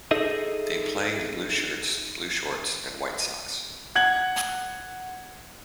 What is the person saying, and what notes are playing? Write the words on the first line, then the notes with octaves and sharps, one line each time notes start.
They play in blue shirts, blue shorts and white socks.
D#4 G#4 A4 D#5 E5
F#5 G#6 F#7